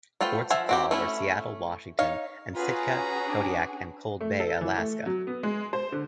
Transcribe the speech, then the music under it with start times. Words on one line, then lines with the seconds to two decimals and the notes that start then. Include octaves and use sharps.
Ports of call were Seattle, Washington and Sitka, Kodiak, and Cold Bay, Alaska.
0.21 A3 F4 B4 C5 G5
0.50 F3 F4 E5 F#5 G#5
0.69 C4 F#4 G4
0.91 A3 C#4 E4
1.99 D#4 C#5 F5
2.55 C#4 F4 F#4 G#4 B4 A#5
3.28 D4
4.21 A3
4.40 A4
4.61 E3
4.78 A3
5.06 F#3
5.27 B3
5.43 G#3
5.73 C5
5.92 D3